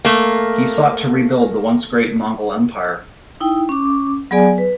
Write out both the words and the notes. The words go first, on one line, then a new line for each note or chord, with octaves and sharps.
He sought to rebuild the once great Mongol Empire.
A3 A#3
D#4 E4 G5
C#4 D6
F#3 B3 G#4 D5 G#5
B4